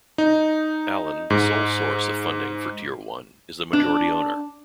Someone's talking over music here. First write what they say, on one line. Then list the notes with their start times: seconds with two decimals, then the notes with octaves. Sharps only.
Allen, the sole source of funding for Tier One, is the majority owner.
0.18 D#4
1.30 G#2
3.73 D4